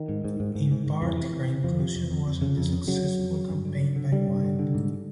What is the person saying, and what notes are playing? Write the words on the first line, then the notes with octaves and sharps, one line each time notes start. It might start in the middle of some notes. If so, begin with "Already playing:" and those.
In part her inclusion was at the successful campaign by Wild.
Already playing: D#3
G#2
G#2
G#2
G#2
G#2
G#2
F2 E3
C3
C3
C3
F2 F3
C3
F2
F2
F2
C#3
F2
C#3
C#3 F#3
C#3
F2
C#3
G2
D3
D3
D3
D3 G3
G2
D3
D3
G#2